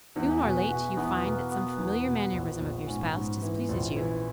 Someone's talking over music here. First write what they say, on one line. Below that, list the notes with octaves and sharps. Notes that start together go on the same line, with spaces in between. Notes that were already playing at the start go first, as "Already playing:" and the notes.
Soon or late you find that some familiar mannerism of your spouse displeases you.
E2 B4
G#4
B2 E4 F#4
B2 F#4
E2 B3
B2 A#3
B2 B3
E2
B2
A#1
A#1
G#2 C#4
G#2
E3
A#1
E3 E4